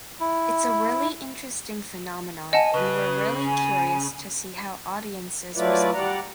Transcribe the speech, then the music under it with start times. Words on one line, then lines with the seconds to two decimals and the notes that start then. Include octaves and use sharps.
It's a really interesting phenomenon and we're really curious to see how audiences respond.
0.20 E4
2.53 D#5 F#5 G#5 A5
2.74 C#3 B4
3.46 G#5
5.56 F#3 A3 E4 F4 B4 D5
5.94 G3 D5 F#5 A#5